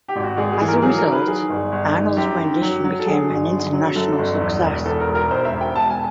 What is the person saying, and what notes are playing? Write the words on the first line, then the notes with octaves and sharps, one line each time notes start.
As a result, Arnold's rendition became an international success.
G4
G#1
F#4
G#1 G#4
G#4
E3
A#4
F#3 G#4
A#4
D#3
B4
D#3 G#4
G1
G1
D#3
F#2 G4
D#3
F#3
F#3
A4
F#3 G#4
G1
D3
F#3
F#2 A4
G1
E2
E1
E2 A4
A#4
E1
A#4
E1 C5
E5
E1
G5
E1 A5
G#5